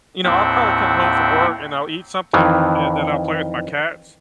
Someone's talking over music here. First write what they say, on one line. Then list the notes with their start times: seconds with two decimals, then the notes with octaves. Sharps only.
you know, I'll probably come home from work, and I'll eat something, and then I'll play with my cats.
0.24 D#2 A2 C4 E5 F#5 G5
2.33 F2 D#3 E3